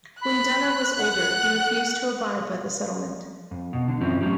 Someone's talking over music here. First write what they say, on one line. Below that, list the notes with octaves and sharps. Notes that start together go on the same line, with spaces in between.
When Donough was older, he refused to abide by the settlement.
B5 F#6
F#5
F2
B2
B1 D3
F#2 E3 F3 C4 C#4
A2 D#3 F#3 C#4 G4